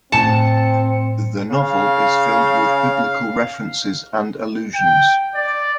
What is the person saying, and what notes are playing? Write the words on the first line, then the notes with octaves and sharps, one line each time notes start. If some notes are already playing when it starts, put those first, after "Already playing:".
The novel is filled with Biblical references and allusions.
A2 C4 A5 C#7
C#3 F5
G5
D5